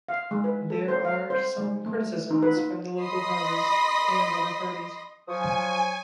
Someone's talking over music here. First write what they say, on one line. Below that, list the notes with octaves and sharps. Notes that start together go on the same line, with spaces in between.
There are some criticisms from the local congress and other parties.
F5
G#3
B4
A4
C5
F5
C5
G#3
A3
D#4
B4
F4
D#5 B5 C6 D#6 A#6
F3 F#3 G#5 C#6 D#6